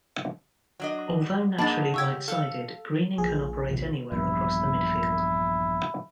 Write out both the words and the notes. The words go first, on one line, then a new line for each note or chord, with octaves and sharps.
Although naturally right-sided, Greening can operate anywhere across the midfield.
F#3 D4 D#5
G#2 G#3 A#3 D4 A5 B5 A6
C#3 G4 C#6 E6 G#6
A4 F5
A#1 G#4
D2 C3 E3
A#1 E2 G2 E4